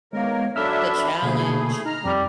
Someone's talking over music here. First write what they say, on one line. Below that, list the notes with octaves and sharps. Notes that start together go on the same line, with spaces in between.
The challenge.
D#3 G#3 A#3 B3 A#4 C#5 F5
F#3 D4 A4 E5 B5 E6 F6
B2 D3 A3 A#3 G#4
D#4 A#5 F6
F2 G3